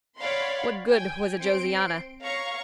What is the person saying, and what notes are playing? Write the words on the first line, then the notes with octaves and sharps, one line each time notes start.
What good was a Josiana?
C#5 D5 F5 F#5 B5 C6
G5 G#5
C4 C6 D7
C#5 F5 A#5 C#6